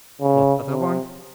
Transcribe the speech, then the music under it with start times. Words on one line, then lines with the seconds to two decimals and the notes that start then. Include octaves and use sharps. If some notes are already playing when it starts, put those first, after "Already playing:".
"What other one?"
0.22 C#3
0.68 C3